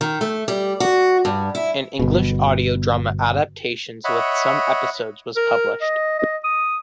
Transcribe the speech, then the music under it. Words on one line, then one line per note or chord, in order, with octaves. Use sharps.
An English Audio drama adaptation with some episodes was published.
D#3
A3
G3
F#4
G2
E4
G1 B2
C#5 D#5 E5 F#5 B5
A#4
D#5
D#5
D#6